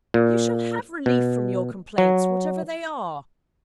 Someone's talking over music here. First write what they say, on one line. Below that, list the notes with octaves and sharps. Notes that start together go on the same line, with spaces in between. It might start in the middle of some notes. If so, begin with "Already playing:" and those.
You shall have relief from your complaints, whatever they are.'
A#2
B2
F#3